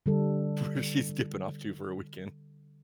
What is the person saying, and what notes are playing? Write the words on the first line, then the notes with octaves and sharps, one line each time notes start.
who she's skipping off to for a weekend.
D3 G3 A4